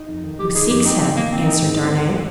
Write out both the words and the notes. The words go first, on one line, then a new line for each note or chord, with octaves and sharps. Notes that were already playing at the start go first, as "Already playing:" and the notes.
"Who seeks him?" answered Darnay.
Already playing: D#4
F2
D#3
G#3 G4
D#4 G#4
F2 G4
C4 D#4
G#2 C4
D#3 A#3
A#3 C4
D#4
G#2
C4
D#2
D3